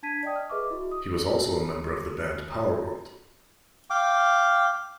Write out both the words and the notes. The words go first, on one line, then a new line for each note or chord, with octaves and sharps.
He was also a member of the band Powerworld.
D4 A5 G#6 B6 D#7
D5 D#5 G5 D#6
F6
G#4 B4 D#5 E5 C#6 D6
E4 F#4
D#6
F5 G5 D6